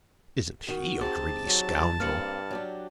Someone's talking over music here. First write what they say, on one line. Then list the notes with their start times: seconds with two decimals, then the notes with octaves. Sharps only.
Isn't he a greedy scoundrel?
0.68 D#3 F#4
1.01 C4 D#4 G4 G#4 A5
1.46 F#3
2.00 G2 A#3 C4 F6 C#7 F#7
2.51 F#3 D4 G4